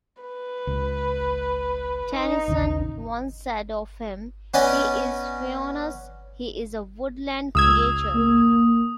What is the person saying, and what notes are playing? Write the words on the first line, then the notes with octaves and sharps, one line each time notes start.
Tennyson once said of him: 'He is Faunus, he is a woodland creature'.
B4
C#2
D#4
A1 D#2 C#3
B3 C#4 D5 D#5 G#5
C#2 D#6 E6 G#6
A#3